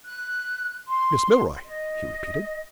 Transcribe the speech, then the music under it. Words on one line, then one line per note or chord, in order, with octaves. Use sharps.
"Miss Milroy!" he repeated.
F#6
C6
D#5